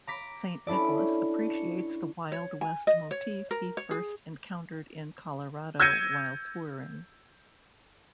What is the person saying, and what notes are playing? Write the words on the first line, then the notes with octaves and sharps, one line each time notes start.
Saint Nicholas appreciates the wild west motif he first encountered in Colorado while touring.
A#5 D6 B6
C#4 D4 E4 A4 D5
C#7
C#5
G#5
D#5
C#5
A#4
C#5
G#4
E6 G6 G#6 A#6 C#7 D#7